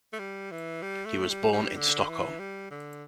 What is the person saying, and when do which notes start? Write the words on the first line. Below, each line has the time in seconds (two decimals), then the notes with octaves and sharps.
He was born in Stockholm.
0.13 A3
0.19 G3
0.51 E3
0.82 G3
1.05 A3
1.30 G3
1.53 G3
1.77 D3
2.01 D3
2.08 E3
2.39 G3
2.71 D3